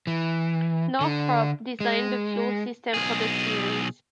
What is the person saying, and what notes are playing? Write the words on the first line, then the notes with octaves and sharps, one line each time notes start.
Northrop designed the fuel system for the series.
E3
D3
G#3
B1 G#4